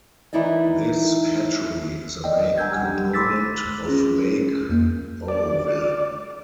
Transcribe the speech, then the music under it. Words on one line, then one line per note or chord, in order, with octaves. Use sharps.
This hatchery is a main component of Lake Oroville.
E3 D#4 E4 D5 D#5
D5 D#5 G5
F#5 G#5 A#5 E6 G6 G#6
G3 D4 G4
B5 C6 D6 E6 A6 B6
C#4 F4 G#4
F2 A#3
D5